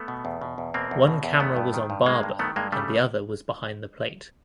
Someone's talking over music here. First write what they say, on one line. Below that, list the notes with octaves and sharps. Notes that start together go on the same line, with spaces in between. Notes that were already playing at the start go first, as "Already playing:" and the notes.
One camera was on Barber and the other was behind the plate.
Already playing: A3 B3
B2
E2
B2
E2
B2 A#3 C4
E2
B2
E2
D#3 A3 B3
G2
D#3
G2
D#3 G#3 A#3
G2
D#3 A3 B3
G2 G#3 A#3
C#3 G3 A3